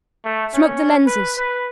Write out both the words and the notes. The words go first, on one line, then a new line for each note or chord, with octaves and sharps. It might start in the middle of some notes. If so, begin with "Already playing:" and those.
Smoke the lenses.
A3
C#4
B4
B4